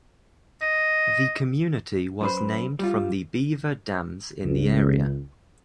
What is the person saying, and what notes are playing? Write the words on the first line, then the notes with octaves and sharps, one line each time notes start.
The community was named from the beaver dams in the area.
D#5
F#2 B4 C5
G3 F4
C#2